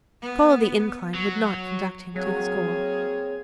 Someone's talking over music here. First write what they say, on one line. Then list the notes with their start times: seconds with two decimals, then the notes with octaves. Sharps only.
To follow the incline would not conduct him to his goal.
0.21 B3
1.15 F#3
2.16 F#3 A#3 C4 G#4 C#5